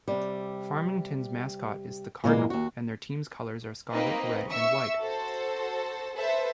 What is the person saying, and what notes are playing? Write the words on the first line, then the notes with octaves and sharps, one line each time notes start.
Farmington's mascot is the cardinal and their team colors are scarlet red and white.
C3 G3
A#2 E3 G#3 A#3
D#2 F#4
A#3 C4 D#4 B4 D#5
E5 C#6 E6
F#4 A4 C5
A4 B4 C5 E5